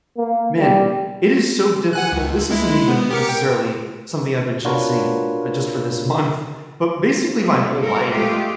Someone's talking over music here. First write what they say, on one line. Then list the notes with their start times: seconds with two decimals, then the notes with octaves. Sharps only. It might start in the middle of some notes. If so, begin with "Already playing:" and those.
man, it is so difficult, this isn't even necessarily something I've been chasing, uh, just for this month, but basically my whole life
0.17 A#3
0.59 G3
1.93 F#5 G#5 F#6
2.12 C#2
2.51 G#3 E4
2.88 B3
3.11 G4 A#4 C#7
3.29 G5
4.65 D4 F4 F#4 A#4 B4 C#5
7.38 G3 A3 B3 C4
7.79 A4 A#4
8.11 G#3 A3 F4 G4